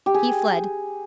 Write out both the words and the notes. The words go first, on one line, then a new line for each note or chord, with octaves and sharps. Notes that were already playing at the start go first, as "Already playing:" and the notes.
He fled.
G4
G#4